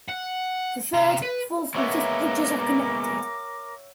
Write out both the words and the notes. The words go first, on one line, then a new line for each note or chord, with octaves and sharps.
The third, fourth and fifth bridges are connected.
F#5
C3 A#5
B4
G#3 A#3 B3 A#4 C#5 E5 F#5 D6